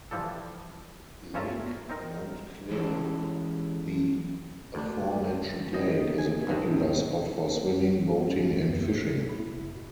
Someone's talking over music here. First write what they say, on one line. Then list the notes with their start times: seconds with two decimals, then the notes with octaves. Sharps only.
Lake Montclair, the aforementioned lake, is a popular spot for swimming, boating, and fishing.
0.11 E3 F3 G3 A4
1.34 G2 C#4 F4 E5 A5 A#5
1.89 C4 D#4 A#4
2.69 E3 G#3 C#4 G4 A4
4.75 D2 D4
5.73 C3 E3 D#5
6.18 G#5
6.47 B1 E2 G#2 C3
7.95 F#1
8.30 G3
8.51 C#2
8.69 F#2
8.94 A2
9.29 E4
9.56 F#1
9.76 B2